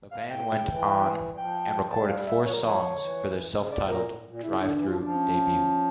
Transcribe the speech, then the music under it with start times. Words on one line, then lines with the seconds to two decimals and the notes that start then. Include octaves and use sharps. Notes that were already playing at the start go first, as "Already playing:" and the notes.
The band went on and recorded four songs for their self-titled Drive-Thru debut.
0.11 F5
0.29 A2 G5
0.42 A#2
0.57 C#3
0.64 F3
0.69 E3
1.32 G3
1.37 F3 G5
1.91 G3 A5
2.08 F5
2.27 E5
2.45 F3 C#5
2.52 G3 A#4
2.59 F3 C#5
2.90 D3
2.99 E3
3.53 C#3
3.71 D5
3.80 A#2
3.88 A#4
4.07 A2
4.20 A2
4.25 A#2
4.42 C#3 E4
4.60 D3 D4
4.74 E3 D4
4.88 F3 F4
5.01 F3 D4
5.15 C#4